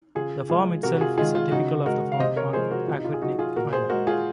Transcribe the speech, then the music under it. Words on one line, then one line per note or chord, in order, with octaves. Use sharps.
The farm itself is typical of the farms on Aquidneck Island.
C#3 F4 G#4
F3 G#3 F4 G#4
C3 F#4 A#4
F#4
F4 G#4
D#3 G#3 F4 G#4
F4
C#3 D#4 F#4
G#3 F#4 A#4
F5
C3 C5 D#5
A#4 C#5
F3 G#3 G#4 C5
F#4 A#4
C3 F4
D#4
F4
G#4
F#3 D#4 F#4
F4 G#4
A#2 F#4 A#4
G#4 C5
G#3 F#4 A#4
F4 G#4